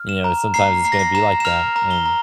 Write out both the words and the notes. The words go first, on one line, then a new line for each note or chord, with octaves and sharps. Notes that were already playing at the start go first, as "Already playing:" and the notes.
you know, sometimes it's gonna be like that and
Already playing: F6
E7
A#5
A#5 C7
A#5 C7
A#6
C7
A#5 E7
E7
F6 F7
A#5
G7
A#5